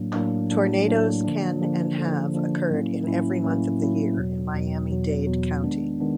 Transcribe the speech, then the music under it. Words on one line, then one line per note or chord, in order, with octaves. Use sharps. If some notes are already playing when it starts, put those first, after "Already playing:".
Tornadoes can and have occurred in every month of the year in Miami-Dade County.
Already playing: A2 F#3 A#3 D4
A2 F#3 A#3 D4
A2 F#3 A#3 D4
A2 F#3 A#3 D4
D3 F3 A#3 D4
D3 F3 A#3 D4
D3 F3 A#3 D4
D3 F3 A#3 D4
A2 F#3 A#3 C#4 E4
A2 F#3 A#3 C#4 E4
A2 F#3 A#3 C#4 E4
A2 F#3 A#3 C#4 E4
E2 B2 F#3
E2 B2 F#3
E2 B2 F#3
E2 B2 F#3
D#3 G#3 B3 D4
D#3 G#3 B3 D4